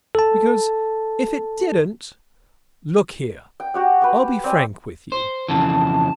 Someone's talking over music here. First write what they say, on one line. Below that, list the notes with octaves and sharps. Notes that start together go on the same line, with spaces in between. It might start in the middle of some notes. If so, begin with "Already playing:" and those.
Because if it didn't---- Look here, I'll be frank with you.
A4 A5
G5
F#4 G4 F#5
G4 B4
C4 D5 G#5
C5
F2 C#3 E3 A5